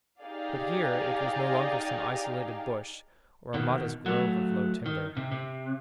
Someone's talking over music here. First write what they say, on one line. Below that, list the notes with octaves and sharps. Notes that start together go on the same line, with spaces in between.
But here it was no longer some isolated bush or a modest grove of low timber.
D#4 G4 G#4 D5 F5
B2 D#3
F#3 A3
D#3
C3
C3